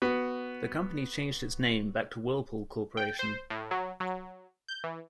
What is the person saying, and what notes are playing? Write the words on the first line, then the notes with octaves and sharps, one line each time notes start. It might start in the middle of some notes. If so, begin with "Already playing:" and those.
The company changed its name back to Whirlpool Corporation.
B3 F#4
G5
C5
A2
F#3
F#3
G6
E3